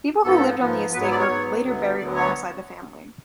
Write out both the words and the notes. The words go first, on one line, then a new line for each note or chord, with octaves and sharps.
People who lived on the estate were later buried alongside the family.
G#2 F3 B3 A4
G#2 F3 B3
G#2 F#3 B3 B4
C#5
D5
C#5
G#2 F#3 B3
D2 D3 F#3 B3
D2 D3 F#3 B3 D5
C#5